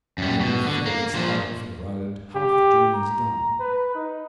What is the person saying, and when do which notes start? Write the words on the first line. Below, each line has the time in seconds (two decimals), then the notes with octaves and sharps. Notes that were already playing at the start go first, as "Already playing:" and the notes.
When you've fairly started for the road half the journey's done.
0.18 F#2 G3
0.41 B2
0.66 D3
0.86 A#3
1.15 A#2 F3
2.35 G4
2.94 A#5
3.60 B4
3.95 D#4